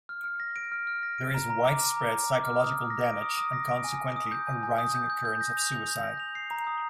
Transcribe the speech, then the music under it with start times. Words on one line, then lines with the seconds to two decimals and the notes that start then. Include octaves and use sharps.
There is widespread psychological damage and consequently a rising occurrence of suicide.
0.09 F6
0.24 F6
0.40 A#6
0.56 D7
0.72 F6
0.87 F6
1.03 A#6
1.18 D7
1.34 A#5
1.50 A#5
1.65 D6
1.81 F6
1.97 A#5
2.12 A#5
2.28 D6
2.44 F6
2.60 D#6
2.75 D#6
2.90 A#6
3.07 D7
3.22 D#6
3.37 D#6
3.53 A#6
3.69 D7
3.84 G#5
4.00 G#5
4.16 D#6
4.32 G6
4.47 G#5
4.63 G#5
4.78 D#6
4.95 G6
5.10 G6
5.25 G6
5.41 A#6
5.57 F7
5.72 G6
5.88 G6
6.04 A#6
6.20 F7
6.35 C7
6.51 A#5
6.67 D#6